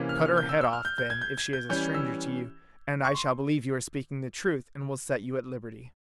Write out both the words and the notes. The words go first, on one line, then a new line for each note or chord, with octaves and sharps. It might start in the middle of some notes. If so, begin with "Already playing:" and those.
"Cut her head off," then, "if she is a stranger to you, and I shall believe you are speaking the truth, and will set you at liberty."
Already playing: C3 E3 A#3 C#4
F6
F6
G6
E6
E6
F6
G6
G6
G#6
G6
G#6
G6
E3 G3 C#4 G6
E6
C#6
C6